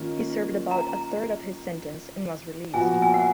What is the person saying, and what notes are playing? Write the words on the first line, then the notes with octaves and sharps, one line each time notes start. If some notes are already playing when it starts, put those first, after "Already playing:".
He served about a third of his sentence and was released.
Already playing: D#3 A#3 C#4 F4
A#5
A#2 F3 B3 F#4 G#5
G#5
F#5